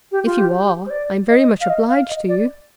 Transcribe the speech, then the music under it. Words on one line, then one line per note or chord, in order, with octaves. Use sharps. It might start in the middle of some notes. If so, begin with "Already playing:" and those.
If you are, I'm very much obliged to you.'
G4
F4
G4
G4
C5
D5
D#5
F5
D#5
F5
D#5
D5